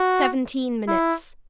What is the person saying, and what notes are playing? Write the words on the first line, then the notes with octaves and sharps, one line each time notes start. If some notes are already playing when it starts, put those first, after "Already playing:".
Seventeen minutes.
Already playing: F#4
E4